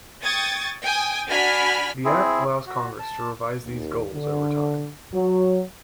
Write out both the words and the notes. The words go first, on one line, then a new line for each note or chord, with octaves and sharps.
The Act allows Congress to revise these goals over time.
G5 C#6 D#6 G#6 A6
G5 G#5 D#6
D4 F#4 G#5 B5 F6 B6
C4 E4 G#4
F#4
A5
D#2
D3
F#3